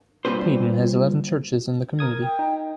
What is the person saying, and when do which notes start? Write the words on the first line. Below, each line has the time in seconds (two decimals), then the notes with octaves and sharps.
Paden has eleven churches in the community.
0.25 G2 A#2 A#3 C4 B4 C5
1.99 A#4 D#6 G#6
2.22 G5
2.39 D#4